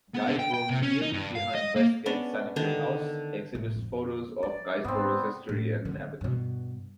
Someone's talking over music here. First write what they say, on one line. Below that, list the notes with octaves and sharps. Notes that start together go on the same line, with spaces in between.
Guisborough Museum, behind Westgate's Sunnyfield House, exhibits photos of Guisborough's history and inhabitants.
B3
D3
G5
G5
C3
C#4
D#4
G2
F5
D#5
A#3
B3 C#4 D4 D5
D3 D#3 D4
A2
F2 D3
F3 D5
G#2 B3 C4
A2
D3
G2 B2